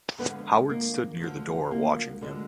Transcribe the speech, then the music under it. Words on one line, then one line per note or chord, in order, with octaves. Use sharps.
Howard stood near the door watching him.
F2 D3 F3 G#3 B3 B4
A#3
D2 D3 F3
A#3
D2 D3 G#3